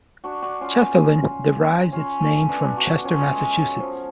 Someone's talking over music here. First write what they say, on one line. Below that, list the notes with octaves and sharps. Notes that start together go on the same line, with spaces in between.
Chesterland derives its name from Chester, Massachusetts.
D4 F#4
D4 F#4
C#4 F4
C#4 F4
A3 C#4
B3 D4
D4 F#4
C#4 F4
G#3
F#3
F3